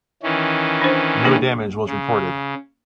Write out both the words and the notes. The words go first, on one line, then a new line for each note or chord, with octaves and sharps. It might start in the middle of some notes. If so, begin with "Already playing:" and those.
No damage was reported.
D#3 E3 C#4
D4 C5
A#3 D4 G#4
C#3